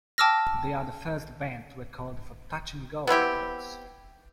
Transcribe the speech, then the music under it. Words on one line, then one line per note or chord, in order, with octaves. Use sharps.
They are the first band to record for Touch and Go Records.
G5 A5 D6 E6 F6 A#6
B3 C4 E4 G4